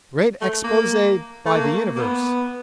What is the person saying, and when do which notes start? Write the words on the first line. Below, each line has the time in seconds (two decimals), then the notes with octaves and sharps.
Great Expose by the 'Universe'!
0.41 A3
0.64 A#3
1.45 A3
1.56 A#3
1.96 A#3
2.01 B3